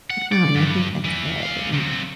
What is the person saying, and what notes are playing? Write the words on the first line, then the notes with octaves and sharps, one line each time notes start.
Oh, and I think that's good, and,
F#5
D5
G2
E2 E3
G#3 F5
F#3 C4